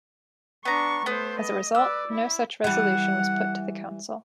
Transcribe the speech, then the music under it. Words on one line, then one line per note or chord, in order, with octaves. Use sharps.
As a result, no such resolution was put to the Council.
B3 D4 A#5 C#6
A3 B3 C5
D#5
B4 D5 E6
E4
E3 G3 F#5